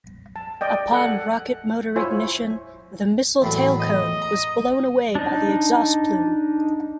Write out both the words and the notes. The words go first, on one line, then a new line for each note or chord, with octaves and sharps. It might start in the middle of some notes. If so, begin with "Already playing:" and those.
Upon rocket motor ignition, the missile tailcone was blown away by the exhaust plume.
A5
D5 D#5 G5
A4 F#5 G#5
E4 F4 C5 C#5 E5 G#5
E2 A2 F#3
D#5
A#5
D4 D#4